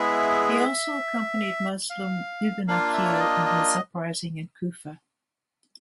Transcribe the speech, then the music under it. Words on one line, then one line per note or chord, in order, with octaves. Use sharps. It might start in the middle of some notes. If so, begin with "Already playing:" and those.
He also accompanied Muslim ibn Aqil in his uprising in Kufa.
Already playing: G#3 B3 E4 G#4 E5
F5
A#3 D4 F4 F5
E5
C#5
D5
D#5
D#5